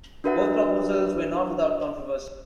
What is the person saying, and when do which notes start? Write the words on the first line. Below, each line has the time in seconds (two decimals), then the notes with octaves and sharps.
Both proposals were not without controversy.
0.24 D4 F#4 A#4 B4 E5 F#5